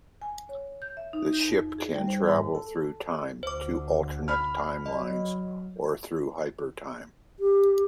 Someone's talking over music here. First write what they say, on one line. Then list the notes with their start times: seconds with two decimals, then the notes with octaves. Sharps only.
The ship can travel through time, to alternate timelines, or through hypertime.
0.22 G#5
0.49 C#5
0.82 G6
0.97 E5
1.13 D#4
1.33 G6
1.49 F2
1.78 G#4
1.95 G3
2.08 C5
2.28 G#2
2.55 A4
3.43 D2 D3 C5 D6
4.28 B5 F6
4.86 F#3 D#5
7.39 G4